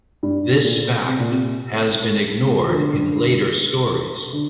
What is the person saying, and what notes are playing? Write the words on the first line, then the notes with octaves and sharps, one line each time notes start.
This fact has been ignored in later stories.
G2
A#2
C3
A#2
C3
F3
D3
D3